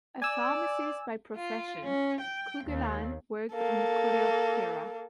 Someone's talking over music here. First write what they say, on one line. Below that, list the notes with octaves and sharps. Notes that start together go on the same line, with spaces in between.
A pharmacist by profession, Kugelann worked on Coleoptera.
D5 G#5 E6
F4
C#4
G5
D#2
A#3 A4